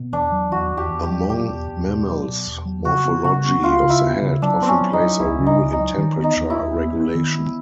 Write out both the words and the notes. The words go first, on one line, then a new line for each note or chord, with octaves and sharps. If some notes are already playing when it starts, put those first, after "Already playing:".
Among mammals, morphology of the head often plays a role in temperature regulation.
Already playing: B2
E2 D4
F#3
E2 F#4
E2
G4
E2
G4
F#3
B2 G4
E2
E2
B2
F#3
B2
E2
F#3
C#3 F#4
B3
C#3 F#4
B3
C#2 F4
C#3
E4
B3
C#3
F#3 D4
B3 C4
C#4
F#3
D#4
F#3
C#2 E4
C#3
D#4
C#2
D#4
F#3
D#3
B3
D#4
D#2
E4
D#2
B3
B3
D#3
B3